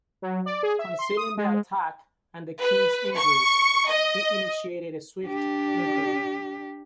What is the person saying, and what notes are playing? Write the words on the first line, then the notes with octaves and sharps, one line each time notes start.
Concealing the attack and the king's injuries, he initiated a swift enquiry.
F#3
D5
G#4
E5
C6
D#6
G#3
B4
C#6
D#5
D4 G4